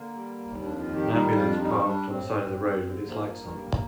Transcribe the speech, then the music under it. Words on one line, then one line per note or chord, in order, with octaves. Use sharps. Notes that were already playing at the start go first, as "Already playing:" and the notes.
An ambulance parked on the side of a road with its lights on.
Already playing: D3 A#3
G3
D#2
F2 D4
F4
D#3
G4
G3 D#4
F2 F4
D4
G3 D#4
G3 D4
A2 C4
A2
G2
D3
F3 A#3
G2
G3